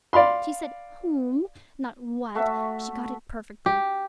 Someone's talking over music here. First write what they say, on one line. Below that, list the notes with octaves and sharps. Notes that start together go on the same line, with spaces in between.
She said 'whom,' not 'what.' She got it perfectly.
D5 F5 B5 C6
A3 F#4 E5
G4